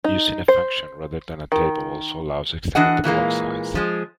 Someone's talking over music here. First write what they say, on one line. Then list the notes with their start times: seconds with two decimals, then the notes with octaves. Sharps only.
Using a function rather than a table also allows extending the block size.
0.04 D#4
0.48 C5
1.52 D#3
2.75 E3 D4 F#4 D#5 F#5
3.04 A#2 E3 G#3 A#3
3.75 F3 G#3